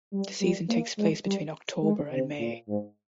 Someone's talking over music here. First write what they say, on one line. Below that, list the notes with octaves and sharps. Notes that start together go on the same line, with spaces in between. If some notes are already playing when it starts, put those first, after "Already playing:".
The season takes place between October and May.
G3
G3
A#3
G#3
G3
G#3
C3
A#2
G#2